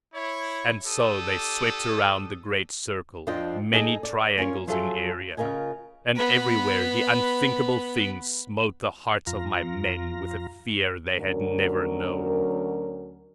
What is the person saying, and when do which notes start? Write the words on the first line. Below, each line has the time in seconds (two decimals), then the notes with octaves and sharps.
And so they swept around the great circle, many triangles in area; and everywhere the unthinkable things smote the hearts of my men with a fear they had never known.
0.14 E4 C#5
0.87 D4 G4 A4 D#6
3.27 F2 F3 D4 F4 D#5 G5
3.73 D#4 G#4 A4 D#5
4.03 D5
4.38 C#4 F4 A#4 C#5
4.67 F3 F#3 F4 G#4 A4 E5
5.37 C#3 F4 A#4 D#5 G#5
6.16 B3 B4
9.27 F2 F4 A#5
11.16 D2 F#3 C#4 A#4